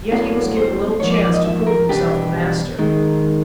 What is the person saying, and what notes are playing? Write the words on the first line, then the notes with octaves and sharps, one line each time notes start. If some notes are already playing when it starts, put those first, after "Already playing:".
Yet he was given little chance to prove himself the master.
A2 F#3 B3 D4 F5
C5
G#2 F3 A#3 C#5
D5
D5
D#5
E5
A#4
E2 B2 G3 B3 D4 G4
D#3 G#3